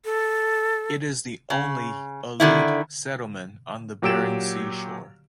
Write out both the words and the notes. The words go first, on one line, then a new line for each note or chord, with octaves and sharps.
It is the only Aleut settlement on the Bering Sea shore.
A4
C#3
D3 D#3 E4
A#2 F#3 G4 E6 D7 E7